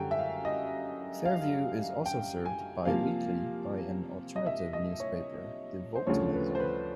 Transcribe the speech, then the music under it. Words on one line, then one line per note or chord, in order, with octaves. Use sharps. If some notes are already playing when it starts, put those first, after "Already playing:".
Fairview is also served bi-weekly by an alternative newspaper, The Vault Magazine.
Already playing: F#2 D3 G3 G5 G#5
E5
F5
D#5
F5
G5
G#5
C3 F3 A#3 F5
D#5
E5
D#5
C#5
C5
D2 C#3 F3 C#5
B4
C5
B4